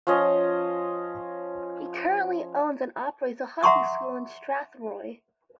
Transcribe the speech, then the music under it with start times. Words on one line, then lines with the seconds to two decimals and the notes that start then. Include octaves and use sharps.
He currently owns and operates a hockey school in Strathroy.
0.07 F3 C#4 D#5
3.63 E5 F#5 A#5 C6 C#6 D#6